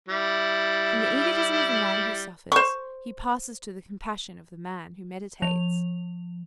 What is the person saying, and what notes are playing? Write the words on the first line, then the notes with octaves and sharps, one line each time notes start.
From the egotism of the man who suffers he passes to the compassion of the man who meditates.
G3 E4
C5 C#6
F3 F7